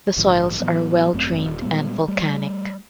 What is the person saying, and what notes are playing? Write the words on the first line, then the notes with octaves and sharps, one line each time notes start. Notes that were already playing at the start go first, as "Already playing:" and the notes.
The soils are well drained and volcanic.
A#1 G#2 D3 F3
A2 E3 F#3 B3
G#1 F#2 A3 C4
D#1
A#2 G3 G#3 B3
G3 A3